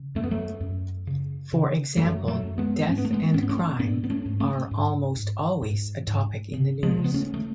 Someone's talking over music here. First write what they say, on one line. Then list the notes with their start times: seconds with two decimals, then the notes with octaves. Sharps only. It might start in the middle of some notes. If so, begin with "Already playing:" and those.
For example: death and crime are almost always a topic in the news.
Already playing: C#3
0.15 F#2 A3
0.24 B3
0.31 F#3 A3
0.60 F#2
1.07 C#3
1.53 C#3
1.97 F#2 F#3 A3
2.27 F#3 A3
2.43 F#2
2.58 G#3 B3
2.88 G#2 C#4
2.98 B3
3.05 A3
3.13 G#3 B3
3.34 G#2 C#4
3.42 B3
3.49 A3 C#4
3.79 G#2 B3 D4
4.04 B3
4.10 A3 C#4
4.26 G#2
4.40 A3 C#4
4.71 G#2
5.16 G#2
5.62 G#2
6.07 G#2
6.53 C#3
6.83 F3 G#3
6.99 C#3
7.04 B3
7.14 A3 C#4
7.34 A3